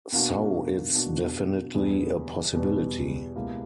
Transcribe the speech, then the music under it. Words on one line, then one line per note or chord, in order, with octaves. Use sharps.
So it's definitely a possibility.
B2 A#3 D4 F#4
B2 A#3 D4 F#4
E2 B2 G3 B3
E2 B2 G3 B3
C#2 B2 A#3 E4 G4